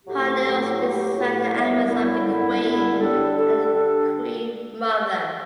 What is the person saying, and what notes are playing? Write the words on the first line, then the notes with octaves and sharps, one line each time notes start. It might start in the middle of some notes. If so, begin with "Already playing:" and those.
Hartnell also designed the outfits of The Queen and The Queen Mother.
A2 F#3 A3 E4 G4
A2 F#3 A3 E4 G4
A2 F#3 A3 E4 G4
A2 F#3 A3 E4 G4
F#2 D3 G3 B3 E4
F#2 D3 G3 B3 E4
F#2 D3 G3 B3 E4
F#2 D3 G3 B3 E4
D3 G3 D4 A4
D3 G3 D4 A4
D3 G3 D4 A4